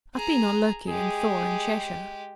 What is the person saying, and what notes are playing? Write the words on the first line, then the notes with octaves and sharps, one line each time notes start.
"I've been on Loki and Thor and Shesha."
G#4 A#5
G#3 G4 G#4